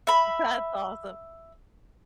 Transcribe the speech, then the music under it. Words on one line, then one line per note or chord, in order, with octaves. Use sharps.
That's awesome.
E5 B5